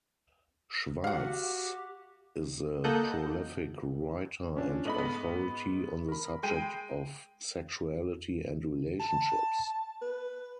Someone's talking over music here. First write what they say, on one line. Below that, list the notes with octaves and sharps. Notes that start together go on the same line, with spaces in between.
Schwartz is a prolific writer and authority on the subject of sexuality and relationships.
F#4 G4 F5 F#5
A#3 A4 D#5 F#5 F#6 G6
C#4 D4 F4
G#2 A3 B3 D#5 B5 F#7
B3
A#4 B5
G#3 G5 D#7
A5
B4